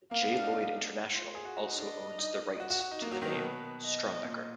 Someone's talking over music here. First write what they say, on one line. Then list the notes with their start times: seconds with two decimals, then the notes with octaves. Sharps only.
J. Lloyd International also owns the rights to the name StromBecKer.
0.11 A#3 F5
0.22 B3
0.32 D4
0.42 D#4
1.15 F4
1.35 G#4
1.45 F#4
1.57 F#4
1.67 D#4
1.77 D4 D#5
2.18 D#4
2.60 F#4
2.70 F#4
2.80 F#4
2.91 D#4
3.00 A#3 D#5
3.11 F#3
3.22 D#3
3.32 B2
3.42 B4
3.83 D#5
4.25 A#2